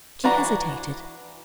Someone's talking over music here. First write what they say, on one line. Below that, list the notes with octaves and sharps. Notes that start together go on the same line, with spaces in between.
She hesitated.
E3 D4 F#4 A#5